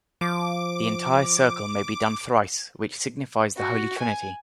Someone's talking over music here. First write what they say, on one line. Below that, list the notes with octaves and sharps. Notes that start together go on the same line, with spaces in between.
The entire circle may be done thrice, which signifies the Holy Trinity.
F3 D6
F#4
G#5